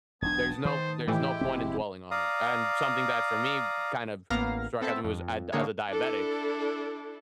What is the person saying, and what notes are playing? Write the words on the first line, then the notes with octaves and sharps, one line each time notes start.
There's no there's no point in dwelling on it. And something that for me kind of struck I do as I the as a diabetic,
E1 B1 B3 D4 A5 D#6 G#6
D#3 C5
A2 E3 G#3 E4 G4 G5
F1 B2 C4
D5 F5 A#5 D#6
A1 A#3 B3 F5 A#5 A#6
B3 C4 A4 C5 E5 A5
F2
D3 D#3 A#3 D#4 G#4 C#5
D4 E4 A4